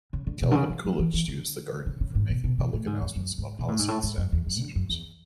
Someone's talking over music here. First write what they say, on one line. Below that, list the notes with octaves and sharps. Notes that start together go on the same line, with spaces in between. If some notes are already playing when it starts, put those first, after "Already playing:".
Calvin Coolidge used the garden for making public announcements about policy and staffing decisions.
C#3
D3
B2
D3
C#3
E3
F#3
E3
E3
D3
C#3
C#3
G#2
B2
B2
B2
A2
G#2
E2
F#2
G#2
B2
A2
G#2
A2
G#2
F#2
E2
F#2
D3
F#2
E2